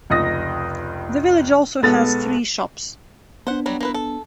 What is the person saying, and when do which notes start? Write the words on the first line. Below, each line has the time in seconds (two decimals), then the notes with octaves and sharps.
The village also has three shops.
0.10 F1 C#2 D#5 D#6 A#6
1.82 B1 G#3 B3 A4 A6
3.47 B3 D4 C5 F#5
3.66 F#3 G3 F#4
3.81 A#3 E4 B4
3.94 A4